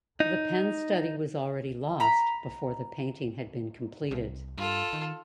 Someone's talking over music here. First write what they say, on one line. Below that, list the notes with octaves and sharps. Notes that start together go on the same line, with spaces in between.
The pen study was already lost before the painting had been completed.
D#4
A#5 B5
C2
G2 F4 A4
D#3